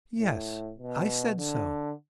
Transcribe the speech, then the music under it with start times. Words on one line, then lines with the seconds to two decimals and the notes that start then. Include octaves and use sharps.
'Yes, I said so.
0.19 A2
0.78 B2
1.38 D3